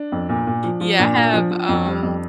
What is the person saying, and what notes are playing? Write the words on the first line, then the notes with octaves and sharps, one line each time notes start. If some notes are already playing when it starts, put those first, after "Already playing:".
yeah, I have, um,
Already playing: D4
F2
A#2
A#2
F3
F3
A#2 D4
A#2
F3
F3
F2
G3
F2